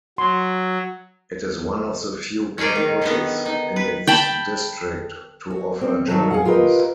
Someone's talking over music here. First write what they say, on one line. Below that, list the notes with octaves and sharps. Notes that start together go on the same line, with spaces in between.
It is one of the few campuses in its district to offer Japanese.
F#3 C6
C#4 D#4 G#4 A#4 D5
D#3
D3 D#3 B3
D#4
B4
G5 A5 B5
F#4
C4
G2 D#3 F#3 A4
G#4 F5 F#5
F4 G4 A#4 B4 D#5